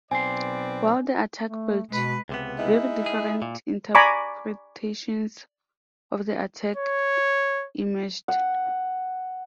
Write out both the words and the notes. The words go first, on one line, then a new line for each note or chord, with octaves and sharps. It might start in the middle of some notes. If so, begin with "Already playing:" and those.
While the attack failed, very different interpretations of the attack emerged.
B1 C4 B4 D5 G#5 C6
A3
B2 G#3 B4
C#2 C3 B3
G#3 D#4 E4
G#4
A#2
D5 G#5 A#5 B5 C#6 D6
C#5
F#5